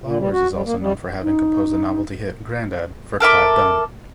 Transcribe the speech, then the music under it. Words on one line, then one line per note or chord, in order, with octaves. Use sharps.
Flowers is also known for having composed the novelty hit "Grandad" for Clive Dunn.
A#2
G3
F#4
G3
A#3
G3
D#4
A4 A#4 E5 D6